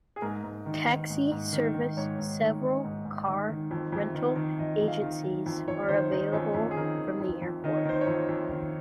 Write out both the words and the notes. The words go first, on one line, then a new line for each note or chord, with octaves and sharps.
Taxi service several car rental agencies are available from the airport.
G#4
G#2 A#4
G#2
D#3
D#3
G#2
G#2
D#3
D#3
G#2 C#5
G#2
D#3
D#3
G#2
G#2
D#3
D#3
F2
F2
D#3
D#3
F2 D#5
F2
F5
D#3
D#3
F2
F2 C#5
D#3 C5
D#3 D#4
F2 C#4
F2
G#4
D#3 A#4
D#3
F2
F2
D#3 D#5
C#5
D#3 C5
C#5
F2
F2
D#3